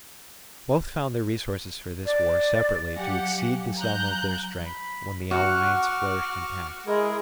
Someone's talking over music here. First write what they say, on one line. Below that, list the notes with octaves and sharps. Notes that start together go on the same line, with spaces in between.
Both found their resources for this war separately to exceed the sum of their strength when the alliance flourished intact.
D5
F#3 G4 F5 F#5 G#5
A#5 F#6 G6
B5
F#4 C#6 D6 F6
G#3 E4 G#4 A#4